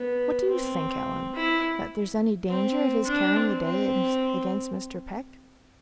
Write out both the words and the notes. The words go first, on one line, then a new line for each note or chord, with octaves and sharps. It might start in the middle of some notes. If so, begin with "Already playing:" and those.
"What do you think, Ellen; that there's any danger of his carrying the day against Mr. Peck?"
Already playing: B3
C4
E4
C4
D4
C4
C4